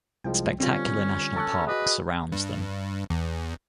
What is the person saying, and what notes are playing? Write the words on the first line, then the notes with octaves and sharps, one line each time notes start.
Spectacular National Parks surrounds them.
C2 F3 G#3 G5
D3 G3 C4 C#4 F4
A4 A5 C#6 F#6
F#4 G#4 B4 D#5
G2
E2